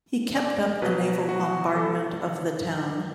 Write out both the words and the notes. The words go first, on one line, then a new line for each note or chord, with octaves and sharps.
He kept up a naval bombardment of the town.
D5
B2 F#3 B4
F#4
A4